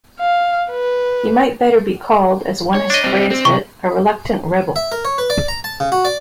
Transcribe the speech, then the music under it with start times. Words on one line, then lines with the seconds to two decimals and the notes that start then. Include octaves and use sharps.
He might better be called, as one has phrased it, 'a reluctant rebel.
0.20 F5
0.70 B4
2.75 C#5
2.90 D4 D#5
3.04 G3 C4
3.30 C4
3.45 C3 C#6
4.76 E5
4.92 A#4
5.05 C#5
5.18 B4
5.30 D5
5.48 A#5
5.64 A5
5.80 C#3
5.92 F#4
6.05 D5